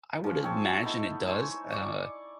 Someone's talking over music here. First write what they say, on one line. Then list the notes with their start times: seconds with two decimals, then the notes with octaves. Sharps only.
I would imagine it does, uh,
0.24 F3 C#4
0.43 C4 G#4 C#5 A5
0.83 A3 B3 D#4 E4
1.27 C5 C#5 G#5
1.71 D5 C#6 D6